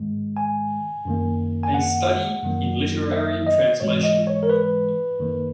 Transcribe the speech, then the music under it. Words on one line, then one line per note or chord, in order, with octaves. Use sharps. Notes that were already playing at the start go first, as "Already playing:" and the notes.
A Study in Literary Translation.
Already playing: G#2 D#3 G#3
G#5
F#2 D#3 A#3
G#5
F#5
F#2 D#3 F#3 A#3
E5
D#5
G#2 E3 G#3 C#5
D#5
C#5
A#4
B4
F#2 D#3 A#3